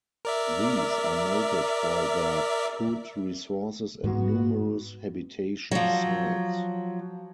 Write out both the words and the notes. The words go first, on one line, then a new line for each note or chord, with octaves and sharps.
These are noted for their food resources and numerous habitation sites.
A#4 D5 E5
G#2 G#3 B3 F#4
F3 F#3